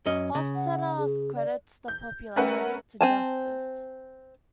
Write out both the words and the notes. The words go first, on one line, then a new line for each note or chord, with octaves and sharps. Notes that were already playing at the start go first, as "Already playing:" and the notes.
Hofstetter credits the popularity to justice.
F#2 C#4 D#5
C#3
F#5
G#4
D5
G6
A3 C#4 A#4 B4 E5 F#5
C4 G#5 A5